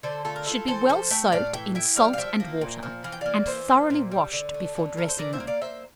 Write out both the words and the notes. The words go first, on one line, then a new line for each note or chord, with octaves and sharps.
Should be well soaked in salt and water, and thoroughly washed before dressing them.
D3 A4 C5
A3 F4 A4
A#4
E4 F4 A4
E3 A4 C5
F3 A4 C5
A3 E5 G5
A2 D5 F5
E3 E5 G5
E4 E5 G5
G3 D5 F5
F5
F3 E5 G5
A#3
A#2
F3
E3 F5
G5
A#3 D5 F5
E3 C5 E5
A#3
A#2
G3
D3
A3
D3
A3 A#4
C5
E3 A#4 D5
C5 E5
A#3
D5 F5
A#3 C5 E5